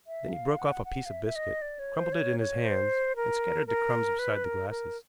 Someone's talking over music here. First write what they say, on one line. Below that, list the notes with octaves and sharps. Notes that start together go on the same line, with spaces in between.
Then he broke off a piece of biscuit, crumbled it in his hands, and scattered the crumbs beside the glasses.
E5
F5
F#5
F#5
F5
E5
E5
D#5
D5
C#5
C5
C#5
C#5
C5
A#4
A#4
B4
A#4
A#4